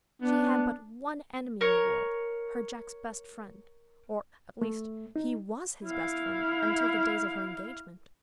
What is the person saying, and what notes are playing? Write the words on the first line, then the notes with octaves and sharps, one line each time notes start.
She had but one enemy in the world, her Jack's best friend, or at least, he was his best friend until the days of her engagement.
B3 D4
A#4 C#5
A3
D#4
E4 F5